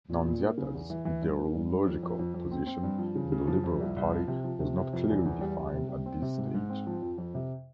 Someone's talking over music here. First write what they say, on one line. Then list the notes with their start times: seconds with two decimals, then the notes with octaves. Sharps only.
Nunziata's ideological position in the Liberal Party was not clearly defined at this stage.
0.09 A#2
0.25 A#2
0.41 A#3
0.58 C#3
0.74 E2
0.90 E3
1.05 E3
1.22 G2
1.38 A#3
1.55 G2
1.70 G2
1.86 F2
2.03 F2
2.19 F2
2.34 F2
2.51 C4
2.66 C4
2.83 G2
2.99 F3
3.15 C#3
3.32 C#3
3.47 F3
3.64 F2
3.80 C2
3.96 C2
4.12 F3
4.28 C3
4.44 F3
4.60 C3
4.77 C3
4.93 F2
5.09 E2
5.25 E2
5.41 G3
5.57 G3
5.74 C3
5.89 G3
6.06 C4
6.22 C3
6.38 G#2
6.54 G#2
6.69 C4
6.87 F3
7.02 F2
7.18 F2
7.35 C3